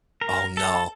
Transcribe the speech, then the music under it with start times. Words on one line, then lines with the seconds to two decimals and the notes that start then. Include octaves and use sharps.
Oh, no.
0.21 A#4
0.57 A4